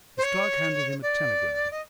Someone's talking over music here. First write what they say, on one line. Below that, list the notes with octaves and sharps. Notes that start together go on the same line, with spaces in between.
His clerk handed him a telegram.
C5
C#5
D5
D#5